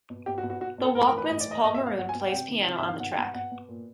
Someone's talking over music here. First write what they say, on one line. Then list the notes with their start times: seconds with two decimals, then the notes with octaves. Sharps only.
The Walkmen's Paul Maroon plays piano on the track.
0.10 B2
0.26 B2 G4
0.38 F#4
0.43 B2
0.50 F#4
0.60 B2 F#4
0.78 B2
0.84 A4
0.95 A2 A#4
1.07 A#4
1.12 E3
1.18 B4
1.29 A2 D#5
1.40 D5
1.47 E3 D#5
1.64 B2 D#5
1.74 E5
1.80 B2
1.86 F5
1.97 B2 F#5
2.09 G#5
2.15 B2
2.21 G5
2.26 F#5
2.32 C3 G5
2.48 D#3
2.66 C3
2.78 E5
2.82 D#3
2.88 F5
3.00 B2 F#5
3.11 G5
3.17 B2 F#5
3.34 B2 F#5
3.51 B2
3.69 A#2